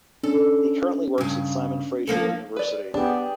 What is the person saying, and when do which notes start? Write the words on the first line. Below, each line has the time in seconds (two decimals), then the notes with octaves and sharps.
He currently works at Simon Fraser University.
0.23 C#4 D4 A4
1.18 G2 C#3
2.07 F3 A#3 A4
2.56 B4 D5
2.94 B3 D4 G4 G#4